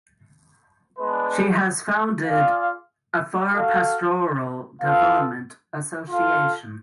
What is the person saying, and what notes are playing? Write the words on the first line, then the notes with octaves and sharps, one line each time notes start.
She has founded Afar Pastoral Development Association.
G#3 B3 D4 G#4 B4
F4 G#4 D5 F5
F#4 A4 F5
B3 F4 A4 F5
F4 A4 F5